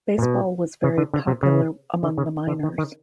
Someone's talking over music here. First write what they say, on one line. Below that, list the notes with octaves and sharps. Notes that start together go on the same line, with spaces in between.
Baseball was very popular among the miners.
A#2
B2
C#3
D3
D3
C3
C#3
D3
C#3
D3
D#3
D#3